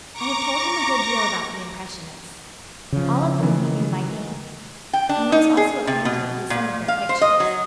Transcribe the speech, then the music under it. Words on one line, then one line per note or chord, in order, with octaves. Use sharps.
I have told him a good deal about the Impressionists, all of whom he knew by name, and he was also acquainted with some of their pictures.
A#5 C#6 D6 A#6
C#3 F3
D#3 E3
G5
D4
D#4
G#4
C3
B2
A#2
F5
C5
D#5
F#3